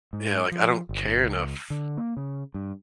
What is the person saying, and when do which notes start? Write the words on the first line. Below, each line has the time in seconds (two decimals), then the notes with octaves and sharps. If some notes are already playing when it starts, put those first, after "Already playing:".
Yeah, like, I don't care enough,
0.13 G#2
0.52 F3
0.89 G1
1.24 C#2
1.70 D3
1.97 A#3
2.17 C#3
2.54 G2